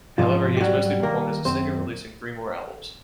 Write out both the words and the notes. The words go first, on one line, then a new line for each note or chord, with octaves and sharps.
However, he has mostly performed as a singer, releasing three more albums.
G#2 F3 F4
G4
F#3 G3 F#4
D#3 A#3 A#4
F#2 C4 C5